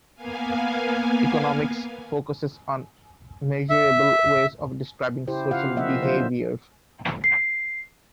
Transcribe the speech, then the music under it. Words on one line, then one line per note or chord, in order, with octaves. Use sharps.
Economics focuses on measurable ways of describing social behavior.
A#3 B3 F5 G#5
E5
C#3 E4 G4 C5
C#3 F4 F5 F#5
F3 A#3 C4 D#5 E5 F#5
D3 F#3 C4 D4 F4 C5
C7